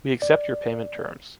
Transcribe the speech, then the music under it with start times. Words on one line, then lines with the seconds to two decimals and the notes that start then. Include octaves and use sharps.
We accept your payment terms.
0.22 D5